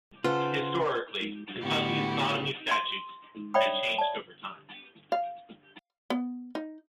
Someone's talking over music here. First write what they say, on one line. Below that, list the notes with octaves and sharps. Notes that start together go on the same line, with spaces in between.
Historically, Kentucky's sodomy statutes had changed over time.
C#3 F4 A4 B4 C5 F#5
A2 D3 B3 E4 F#4 G4
C6
C#5 D5 E5 G5 B5 D#6
D5 A5
F5
B3
D#4